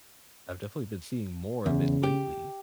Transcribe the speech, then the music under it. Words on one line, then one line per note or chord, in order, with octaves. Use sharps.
I've definitely been seeing more of it lately.
E2 C#3
G4